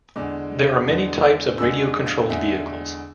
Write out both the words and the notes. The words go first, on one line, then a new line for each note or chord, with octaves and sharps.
There are many types of radio controlled vehicles.
E2 D3 G#3 D6
E2 D3 G#3
E2 D3 G#3 E6
F5
E2 D3 G#3 E5